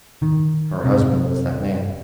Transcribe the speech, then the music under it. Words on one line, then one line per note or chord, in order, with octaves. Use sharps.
Her husband was that man.
D#3
C3